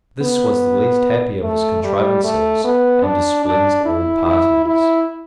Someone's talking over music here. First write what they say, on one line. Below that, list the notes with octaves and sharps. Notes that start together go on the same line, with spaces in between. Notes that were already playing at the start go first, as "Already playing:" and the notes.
This was the least happy of his contrivances, and displeased all parties.
B3
A3
G3
A3
B3
D4
D4
E4
E4
E4